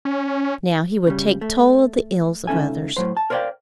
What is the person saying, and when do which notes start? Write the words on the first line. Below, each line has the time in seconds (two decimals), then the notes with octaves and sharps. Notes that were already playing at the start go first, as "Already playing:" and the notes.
Now he would take toll of the ills of others.
0.05 C#4
1.07 C#3 G3
1.41 A3
2.47 C#2 C#4 D#4 A4 E5 G#5
2.97 A2 F#3 C5
3.17 A5
3.30 A#4 C5 D5 D#5 F5 G5